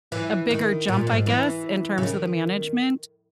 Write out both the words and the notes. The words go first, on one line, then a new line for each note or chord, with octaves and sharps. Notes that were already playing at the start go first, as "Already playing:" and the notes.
a bigger jump, I guess, in terms of the management.
E3
D#3
A#2
G#2
E3
C#3
D#3